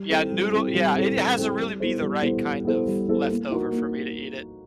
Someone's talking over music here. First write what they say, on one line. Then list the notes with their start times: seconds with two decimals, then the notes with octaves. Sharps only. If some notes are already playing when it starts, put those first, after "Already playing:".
Yeah, noodle yeah, it has a really be the right kind of leftover for me to eat it.
Already playing: G3
0.10 C4 E4 A4
0.32 G3
0.52 C4 E4 A4
0.74 G3
0.95 C4 E4 A4
1.17 G3
1.38 C4 E4 A4
1.58 G3
1.80 B3 E4 A4 C5
2.01 G3
2.22 B3 E4 A4 C5
2.44 G3
2.65 B3 E4 A4 C5
2.87 G3
3.08 B3 E4 A4 C5
3.29 A#3
3.50 D#4 F#4 A#4
3.72 A#3